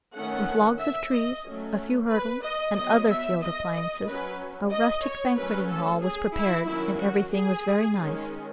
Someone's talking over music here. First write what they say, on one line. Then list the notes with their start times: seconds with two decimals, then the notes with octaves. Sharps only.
With logs of trees, a few hurdles, and other field appliances, a rustic banqueting hall was prepared and everything was very nice.
0.14 D#3 A3 C#4 F#5
0.80 E5
1.13 D#5
1.45 F#3 A3 C#4
2.11 B4
2.43 D#5
2.76 F#3 B3 D#5
3.08 E5
3.42 D#5
3.74 D#5
4.07 F#3 C#4 B4
4.72 D#5
5.04 C#5
5.37 F#3 A3 C#4 B4
5.70 A4
6.03 G#4
6.35 E4
6.68 D#3 F#3 C#4 E4
7.00 F#4
7.34 G#4
7.99 D#3 G#3 C#4